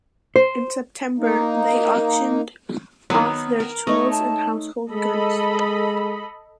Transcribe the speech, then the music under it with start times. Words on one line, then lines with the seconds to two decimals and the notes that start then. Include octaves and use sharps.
In September they auctioned off their tools and household goods.
0.36 C5
1.19 A#3 D#4
3.10 D#3 F#3 B3
3.60 A#4
3.87 A3 D#4 C#5 D#5 C#6
4.11 A5
4.92 G#3 A4 D#5 B5